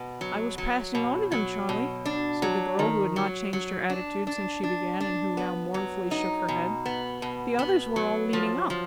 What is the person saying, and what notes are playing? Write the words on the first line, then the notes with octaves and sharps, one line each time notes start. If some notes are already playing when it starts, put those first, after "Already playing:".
'I was passing on to them, Charley,' said the girl, who had not changed her attitude since she began, and who now mournfully shook her head; 'the others were all leading up.
Already playing: B2 B3
F#3
F#3
B2
F#3
B2
D4
F#3
D#3
F#3
F#3
D4
D4
D4
D4
B3
F#3
D#4
B2
B3
B2
B3
F#3
F3
F3